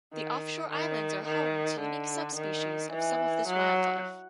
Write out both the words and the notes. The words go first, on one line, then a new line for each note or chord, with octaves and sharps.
The offshore islands are home to unique subspecies of some of this wildlife.
D#3
D#3
D#3
D3
D#3
E3
F#3